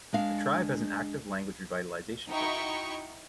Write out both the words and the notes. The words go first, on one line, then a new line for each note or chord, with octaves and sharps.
The tribe has an active language revitalization program.
G#3 D4 F5
D#4 E4 F#4 G5 A#5 C#6